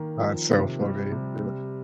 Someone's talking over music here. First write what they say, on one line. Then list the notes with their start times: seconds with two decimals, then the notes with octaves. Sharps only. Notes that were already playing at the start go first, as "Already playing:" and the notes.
That's so funny, yeah.
Already playing: D#3 A#3
0.19 F3
0.50 C3
0.81 G3
1.12 C3
1.44 G3